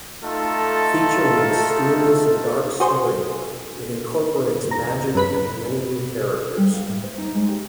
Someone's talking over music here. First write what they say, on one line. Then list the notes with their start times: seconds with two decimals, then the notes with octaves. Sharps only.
Featuring a mysterious and dark storyline, it incorporates magic and many new characters.
0.22 A3 D#4 F4 A4
2.80 F#4 G#4 C5
4.71 A#5
5.15 F#2 B4 B6
6.57 G3
6.74 F5
6.88 A2
7.04 C5
7.18 D#4
7.35 G#3
7.49 G4